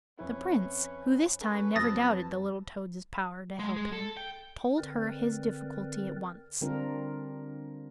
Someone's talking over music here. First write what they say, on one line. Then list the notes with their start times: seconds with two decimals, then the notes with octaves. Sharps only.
The Prince, who this time never doubted the little toad's power to help him, told her his difficulty at once.
0.19 F2 C#4 E4 B4
1.41 C#4 A4 B4
1.75 F2 F#3 A5 D#6 E6 A6 A#6
3.59 G#3
3.76 G#3
3.93 A4
4.17 G5
4.78 D3 C4 A#4 B4 D5
6.61 D3 G3 C4 D4 F4 A#4